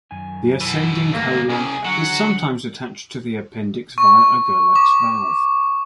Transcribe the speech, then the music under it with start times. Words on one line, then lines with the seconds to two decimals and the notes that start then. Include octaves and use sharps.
The ascending colon is sometimes attached to the appendix via Gerlach's valve.
0.11 F#2 D#3 G#5
0.61 B2 E3
1.12 D2 G2 A3 A#3
1.49 C2 C#4 G#4
1.85 D3 F#3 F#5
3.98 C#6
4.76 D6